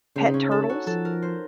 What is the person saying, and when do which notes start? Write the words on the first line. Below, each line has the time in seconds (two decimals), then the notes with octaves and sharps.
pet turtles
0.16 C#3 C4
0.26 D#4
0.34 C#4
0.51 A4
0.69 F#4
0.87 F3 A4
1.05 A#4
1.22 C5